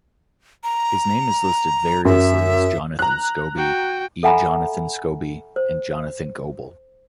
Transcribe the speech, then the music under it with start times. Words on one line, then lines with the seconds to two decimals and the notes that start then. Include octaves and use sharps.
His name is listed variously as "Jonathan Scobie", "E. Jonathan Scobie" and "Jonathan Goble".
0.64 A#5
2.05 F#2 E5
2.99 A#5 F#6
3.56 F#4 G5
4.23 A4 E5 F#5 G#5 A#5 B5
5.56 C5